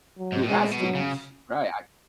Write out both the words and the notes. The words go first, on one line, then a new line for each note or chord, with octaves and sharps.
He has changed. Right I
F#3
G#2
A2
B2 G#3
A2
B2
F#3
C#3